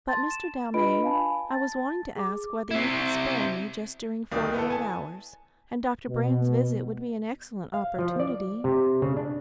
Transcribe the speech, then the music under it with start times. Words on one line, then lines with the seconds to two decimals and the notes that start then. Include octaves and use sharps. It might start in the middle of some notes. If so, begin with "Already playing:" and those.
But, Mr. Dalmain, I was wanting to ask whether you could spare me just during forty-eight hours; and Dr. Brand's visit would be an excellent opportunity.
0.07 A5 C6 A6
0.31 E7
0.74 D4 F4 B4 D#5 B5 D7
1.04 F5 G#5 A5 B5
1.49 A5 A6
2.16 G#4 D6
2.71 C4 E4
4.31 D1 C2 D#3 D5 D#6
4.54 B3 E4 A4
4.70 G#5 A5
6.09 B2
7.74 F5
7.99 F3
8.20 D5
8.64 C3
9.02 C#3
9.17 D4